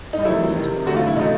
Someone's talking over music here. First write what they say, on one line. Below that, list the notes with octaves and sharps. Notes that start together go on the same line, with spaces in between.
"By a visit to the cardinal."
D#4
C3 D#3 F#3 A3 E4
C3 D#3 G3
D3 F#3 A3 F#4
F4
E4
C#3 F#3 A3 D#4